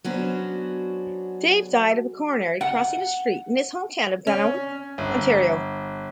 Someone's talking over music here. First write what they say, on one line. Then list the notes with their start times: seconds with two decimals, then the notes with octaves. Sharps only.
Day died of a coronary crossing a street in his hometown of Gananoque, Ontario.
0.04 F#3 B3 C#4 D4 F#4 C5
2.61 F#5
4.27 C#4
4.98 G1